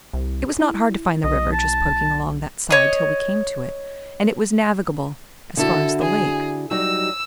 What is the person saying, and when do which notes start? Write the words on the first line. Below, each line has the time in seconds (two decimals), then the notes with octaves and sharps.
It was not hard to find the river, just poking along that side till we came to it, and it was navigable as far as the lake.
0.13 C2
0.60 E4
1.24 B1 D#5
1.53 A5
2.70 C#5 D#5
5.57 D3 E4 F#4 A4
6.01 G#4
6.71 F#3 G3 D#4 E6